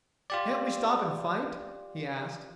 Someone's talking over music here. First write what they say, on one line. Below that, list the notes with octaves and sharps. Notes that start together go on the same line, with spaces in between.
"Can't we stop and fight?" he asked.
F4 G4 D5